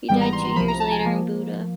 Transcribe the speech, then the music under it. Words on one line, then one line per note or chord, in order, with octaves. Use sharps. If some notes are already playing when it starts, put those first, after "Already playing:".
He died two years later in Buda.
G#1 G#2 E3 G3 B3 G5
A#5
C6
C6
C2 C3 F3 B5
A#5
A5
G#5
F3 A#3